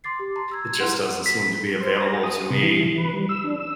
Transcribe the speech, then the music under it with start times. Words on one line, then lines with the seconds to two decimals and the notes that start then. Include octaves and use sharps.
it just doesn't seem to be available to me
0.04 C6 D6 A6 C7
0.19 G4
0.36 A5 A#5 C6
0.49 A#5 E6 G#6
0.66 G#6
0.80 E4 B4 F#5 C6
1.26 B6
1.81 C5
2.00 A#5
2.23 D#6
2.50 C3
2.63 E3
2.86 E3
2.98 B4
3.14 G3
3.29 E6
3.44 D4
3.60 E6